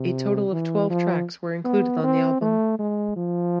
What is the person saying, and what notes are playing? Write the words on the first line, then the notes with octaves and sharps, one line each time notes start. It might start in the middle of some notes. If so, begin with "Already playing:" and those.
A total of twelve tracks were included on the album.
Already playing: C3
E3
F3
B3
C4
A3
G#3
F3